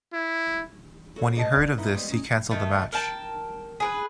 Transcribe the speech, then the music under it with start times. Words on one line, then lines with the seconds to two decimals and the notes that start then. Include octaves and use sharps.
When he heard of this he cancelled the match.
0.13 E4
1.16 F#4 A4 C#5
1.35 D2 C3 G#4 D#5 G#5 A5
1.52 D4 D5
1.77 B3 D#4 E4 F#4
1.92 G3 G#3 B3 C4
2.09 C#4 D#4
2.51 D#3 A3
2.93 A#4 G5 A5
3.80 G#4 A#4 B4